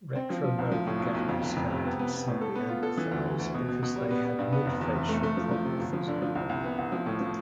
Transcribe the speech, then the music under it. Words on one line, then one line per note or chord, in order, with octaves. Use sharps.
Retromolar gap is found in some Neanderthals because they had midfacial prognathism.
C4
F3
F3
C2
F3
A2
B1
B1
F2
F1
F2
C3
B3
B3
B3
A2
A4
B3
F4
A4
E3
D2
D2
D2
B2
B2
B2
G3
B3
B3
G2
B3
F1
E2
F1
A3
A3
F3
F3
C3
G1
F3
D3
F3
C2
C2
B3
C2
F3
A2
F3